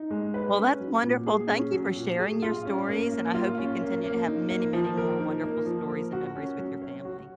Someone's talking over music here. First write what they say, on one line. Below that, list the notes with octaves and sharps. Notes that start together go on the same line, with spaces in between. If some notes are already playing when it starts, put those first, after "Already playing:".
Well, that's wonderful, thank you for sharing your stories, and I hope you continue to have many, many more wonderful stories and memories with your family.
Already playing: D#4
G#3
B4
C#4
F#3
A#2
G#4
C#4
F#3
A#2
G#4
F4
C#4
A#3
A#3
F4
C#4
A#3
A#3
D#4
A#3
F3
A#4
D#4
A#3
F3
A#4
F#4
C#4
F#3
C#5
F#4